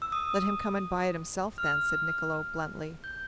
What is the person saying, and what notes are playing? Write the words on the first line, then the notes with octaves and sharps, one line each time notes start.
"Let him come and buy it himself, then," said Niccolo, bluntly.
E6
D#6
F6
G6